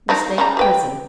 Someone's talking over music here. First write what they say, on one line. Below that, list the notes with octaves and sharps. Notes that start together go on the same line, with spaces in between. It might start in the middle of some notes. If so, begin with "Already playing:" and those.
The State Prison.
D#3 D4 D#4
C#3 G3 A#5
G4 B4 G5